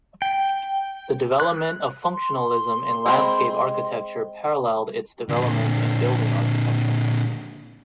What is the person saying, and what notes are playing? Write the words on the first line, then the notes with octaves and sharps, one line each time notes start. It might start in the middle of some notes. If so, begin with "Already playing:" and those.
The development of functionalism in landscape architecture paralleled its development in building architecture.
G5
F#6
C6
G#3 C4 B5
A#2 D3